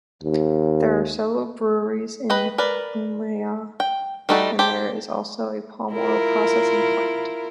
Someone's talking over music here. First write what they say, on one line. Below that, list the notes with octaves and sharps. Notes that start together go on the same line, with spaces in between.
There are several breweries in Umuahia, and there is also a palm-oil-processing plant.
D#2
B4 D#5 G5
A#4 B4 D5
G5
G3 A3 D#4 F#4 A4
G4 A4 C5
E4 F4 A#4